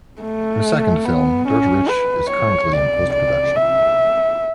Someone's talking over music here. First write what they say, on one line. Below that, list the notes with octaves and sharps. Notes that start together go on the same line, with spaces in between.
Her second film "Dirt Rich" is currently in post-production.
A3
B3
C#4
B4
C#5
D5
D5
E5